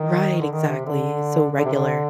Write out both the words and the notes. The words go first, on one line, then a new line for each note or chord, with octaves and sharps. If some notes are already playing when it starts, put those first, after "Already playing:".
Right, exactly, so regular.
Already playing: D#3
D3
D#3
C3
D3
D3
C3
D3